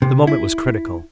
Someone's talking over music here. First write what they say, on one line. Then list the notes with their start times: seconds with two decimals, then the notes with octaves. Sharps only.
The moment was critical.
0.02 C3
0.27 E4